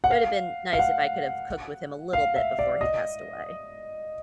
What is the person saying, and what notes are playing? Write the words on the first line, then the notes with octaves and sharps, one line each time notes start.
it would've been nice if I could've cooked with him a little bit before he passed away.
F#5
F5
F5
F#5
F5
E5
D5
D#5